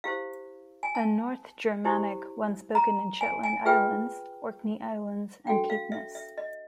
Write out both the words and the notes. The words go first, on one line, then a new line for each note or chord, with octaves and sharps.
A North Germanic once spoken in Shetland Islands, Orkney Islands and Caithness.
E4 G4 C5 F5
G#5
A5
E4 G4 C5
A#5
G#5
G#5
F4 G#4 B4 G5
D4 F#4 A4 G5
F5
E5
E5
D#5